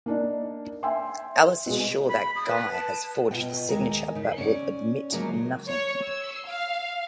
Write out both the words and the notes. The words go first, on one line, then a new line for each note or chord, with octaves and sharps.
Alice is sure that Guy has forged the signature but he will admit nothing.
A#3 D4 D#4
E5 G5 G#5 C6
B2 G#3
B5
D#6
B4
A5
B2 D#3 F4 D#5 G5
D#2 G#3 A#4
C#3 D#4
C#4 D5
C#3 F3 F#3 G#3 A#3
C#5
E6
F5